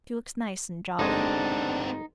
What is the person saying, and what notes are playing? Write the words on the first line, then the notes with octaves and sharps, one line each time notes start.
"She looks nice and jolly."
G1 G#3 B3 C4 D4 D#4 D#5